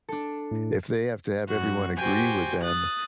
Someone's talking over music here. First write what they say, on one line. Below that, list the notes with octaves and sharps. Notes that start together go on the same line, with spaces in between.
If they have to have everyone agree with them
D4 A4
A2
F#2 F#4
F#4 G4 C5 G5 G#5
D#6 F#6 A6